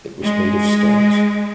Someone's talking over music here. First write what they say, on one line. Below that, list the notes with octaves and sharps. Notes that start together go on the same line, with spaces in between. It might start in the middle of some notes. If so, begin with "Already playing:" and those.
It was made of stones.
G#3